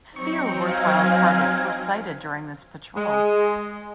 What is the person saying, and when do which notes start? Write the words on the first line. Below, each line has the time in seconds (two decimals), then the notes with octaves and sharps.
Few worthwhile targets were sighted during this patrol.
0.16 F#3 C4 D#4 C#6
0.68 F5 G#5
2.97 G#3